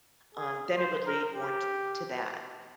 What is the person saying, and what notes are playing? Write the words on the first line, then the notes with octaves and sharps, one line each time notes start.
um, then it would lead more t to that.
G#4
C5
A#4
G4